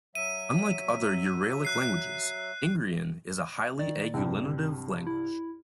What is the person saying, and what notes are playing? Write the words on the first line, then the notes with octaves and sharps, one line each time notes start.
Like other Uralic languages, Ingrian is a highly agglutinative language.
F#3 E5 D#7
F#6 C7
D#3 D5
C2 G2 C4
E4